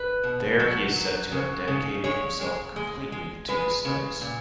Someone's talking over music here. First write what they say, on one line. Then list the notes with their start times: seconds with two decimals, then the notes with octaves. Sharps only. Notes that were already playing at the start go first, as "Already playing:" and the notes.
There he is said to have dedicated himself completely to his studies.
Already playing: B4
0.23 B2
0.59 F#3
0.96 F#3
1.31 C#3
1.68 C#3
2.04 G#3 C#5
2.41 G#3
2.76 G#3
3.12 G#3
3.49 G#3 B4
3.85 C#3
4.21 A#2